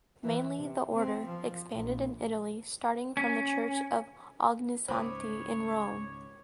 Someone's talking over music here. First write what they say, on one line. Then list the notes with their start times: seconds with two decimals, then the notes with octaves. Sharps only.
Mainly the Order expanded in Italy starting from the Church of Ognissanti in Rome.
0.24 E3
0.57 C3
0.94 C4
1.25 F3
1.71 A#1
3.17 C#4
4.88 C#2 G#2 C5 C#5 B5 D6 D#6